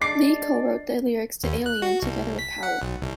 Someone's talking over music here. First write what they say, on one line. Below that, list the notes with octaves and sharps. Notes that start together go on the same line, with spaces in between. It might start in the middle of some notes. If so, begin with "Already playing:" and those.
Lee co-wrote the lyrics for "Alien" together with Powell.
G#3 D4 D5 D6 C7
D#2
F#6
F#4
C2
B6
F#5
B1
C2